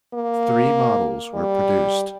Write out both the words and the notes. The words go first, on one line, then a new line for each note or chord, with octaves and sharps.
Three models were produced.
A#3
G3